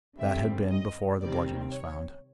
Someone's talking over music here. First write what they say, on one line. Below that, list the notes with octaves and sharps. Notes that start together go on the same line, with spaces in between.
That had been before the bludgeon was found.
F#2 D3 G3 C4 E5
D#5
C3 D#3 G3 C4 D5
C#5